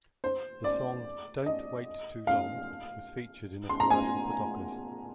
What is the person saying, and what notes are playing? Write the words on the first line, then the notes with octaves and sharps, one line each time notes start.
The song "Don't Wait Too Long" was featured in a commercial for Dockers.
C5
D5
D#5
F5
C6
A#5
G#5